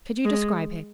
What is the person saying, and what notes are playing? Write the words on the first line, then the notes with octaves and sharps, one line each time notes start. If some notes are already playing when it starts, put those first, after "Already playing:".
Could you describe him?
G#3